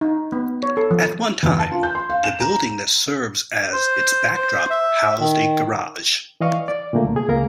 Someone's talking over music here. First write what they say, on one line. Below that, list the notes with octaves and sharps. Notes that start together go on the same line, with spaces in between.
At one time, the building that serves as its backdrop housed a garage.
D#4
B3
C#5
A4
F3
E2
A5
F4
G6
C6
F5
E7
A#5
A#5
C5
C5
E5
D#3
E3 D5 D#5 F5 C#6
D5
A#2 D3 A3 A#3
C2
G#4
C#2 A#3 A#4 A#5